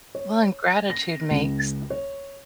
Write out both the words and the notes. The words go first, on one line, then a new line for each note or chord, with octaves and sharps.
Well, and gratitude makes
C#5
A#6
C#2
C#5